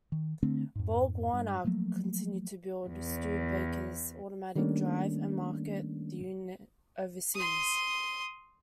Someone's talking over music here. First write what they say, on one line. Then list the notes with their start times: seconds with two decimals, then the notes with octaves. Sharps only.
Borg-Warner continued to build Studebaker's Automatic Drive and market the unit overseas.
0.12 D#3
0.43 D3 A3 C4 D4
0.75 F2 G#2
1.33 G2
1.64 F3 F#3 A3 A#3
2.88 E2
4.55 D#3 G3 A3 A#3 C#4 D4
7.34 C6 D#6